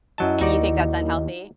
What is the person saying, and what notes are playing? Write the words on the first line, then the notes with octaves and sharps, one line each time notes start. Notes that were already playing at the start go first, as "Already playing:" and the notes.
And you think that's unhealthy?
F#2 F#3 E4 D#5 A5
D#2 D#4 F#4 D5